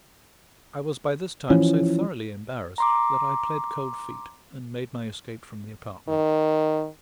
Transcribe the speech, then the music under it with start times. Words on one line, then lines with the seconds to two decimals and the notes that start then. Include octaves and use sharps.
I was by this time so thoroughly embarrassed that I pled cold feet, and made my escape from the apartment.
1.50 E3 F3 C#4
2.78 A#5 C6 D6
6.08 D#3